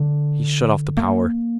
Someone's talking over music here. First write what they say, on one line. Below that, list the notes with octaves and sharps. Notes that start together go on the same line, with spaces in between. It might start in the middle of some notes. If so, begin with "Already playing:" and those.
He shut off the power.
Already playing: D3
A#3